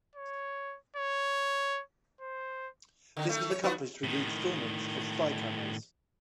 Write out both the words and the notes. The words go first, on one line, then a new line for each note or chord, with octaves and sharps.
This was accomplished through the instalments of 'spycameras'.
C#5
C#5
C5
D3 D#3
D#3 A3
C#5
B3 D#4 F#4
A2 D#3